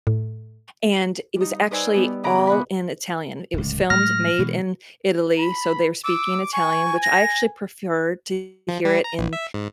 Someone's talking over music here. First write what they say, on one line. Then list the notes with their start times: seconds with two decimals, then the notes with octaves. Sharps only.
and it was actually all in Italian. It was filmed, made in Italy, so they're speaking Italian, which I actually prefer to hear it in
0.07 A2
1.36 G3 D#4
1.71 D#4 B4 C5 D5 G#5 E6
1.94 G3 B3 G4
2.23 C#3 E3 A#5 B5 D6
2.47 B2 F#5 B5
3.53 D1 C#2
3.90 A2 F#3 G#3 F6 A#6
4.39 B2 E3 G#3
5.38 B5
6.04 D6 E6
6.53 G#5 C#6
7.03 A#6
8.68 F3
8.85 G3
9.04 A#5
9.19 A#1
9.33 E5
9.54 G#2